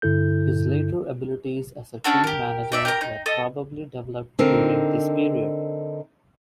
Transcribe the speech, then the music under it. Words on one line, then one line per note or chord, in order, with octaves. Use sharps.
His later abilities as a team manager were probably developed during this period.
G2 D3 E4 A4 G6
C#4 D4 F#4 A4
G4 A#4
D#4 D5 E5
G4 A#4 A#5
D#4
A4 D#5
D3 C4 D#4 A#4